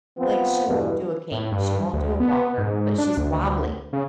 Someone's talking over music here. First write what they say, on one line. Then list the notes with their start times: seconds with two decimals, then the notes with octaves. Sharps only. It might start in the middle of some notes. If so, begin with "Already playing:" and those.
like, she won't do a cane. She won't do a walker, but she's wobbly.
0.19 F3 B3 C4
0.67 E2 G2 B2 D3 E3
1.32 A2
1.51 G2
1.93 D2
2.20 B3
2.58 G#2
2.98 D4
3.17 D2
3.93 C#3